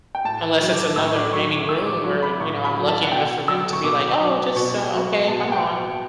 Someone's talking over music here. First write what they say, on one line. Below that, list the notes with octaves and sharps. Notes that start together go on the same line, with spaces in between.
unless it's another, maybe, room where, you know, I'm lucky enough for them to be like, "Oh, just, uh, okay, come on."
G5
A2 A5
F#3
D6
A2 E6
C#6
D6
F#3 C#6
C#6
A2 E6
D6
F#3 C#6
B5
A2 C#6
B5
F#3
A5
F#5
B2 G5
F#3 E6
C#6
B2 D6
F#3
B2 C#6
F#3
B2 A5
F#5
G5